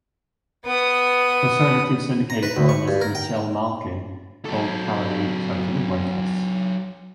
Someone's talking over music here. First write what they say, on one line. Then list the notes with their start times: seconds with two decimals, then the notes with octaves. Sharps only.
Conservative syndicated columnist Michelle Malkin called Calame "totally worthless".
0.66 B3 D#6
2.30 A#5
2.43 B4
2.57 D2
2.69 C#6
2.88 G2
3.01 A#4
3.15 G5
4.45 F#3 A4